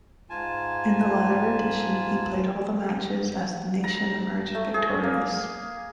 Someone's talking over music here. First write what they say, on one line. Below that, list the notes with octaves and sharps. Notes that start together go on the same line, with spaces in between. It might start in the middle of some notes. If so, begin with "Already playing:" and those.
In the latter edition, he played all the matches as the nation emerged victorious.
G#2 F4 G#5 A5
A#5
A3
G#4
A#3